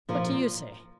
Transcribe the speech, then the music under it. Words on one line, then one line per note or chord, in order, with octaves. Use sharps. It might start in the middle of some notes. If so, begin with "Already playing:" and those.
What do you say?
A#2 F3 A#3